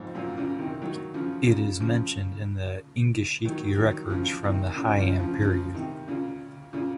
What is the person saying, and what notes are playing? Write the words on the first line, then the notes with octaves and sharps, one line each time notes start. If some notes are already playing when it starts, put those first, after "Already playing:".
It is mentioned in the "Engishiki" records from the Heian period.
Already playing: F2 G#2
F#2 A#2
A#2 C#3
C3 D#3
D#3 F#3
C#3 F3
A#2 C#3
C#3 F3
D#3 F#3
D#3 F#3
C#3 F3
C3 D#3
A#2 C#3
C#3 F3
C#3 F3
C#3 F3
C3 D#3
A#2 C#3
A#2 C#3